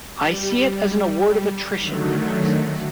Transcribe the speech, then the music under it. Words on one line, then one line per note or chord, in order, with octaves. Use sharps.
"I see it as an award of attrition," he says.
G3
D3 D#3 F#3 A3